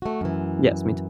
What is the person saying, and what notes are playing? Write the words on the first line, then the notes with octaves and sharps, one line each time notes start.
Yes, me too.
A3 F#4
F#2 E3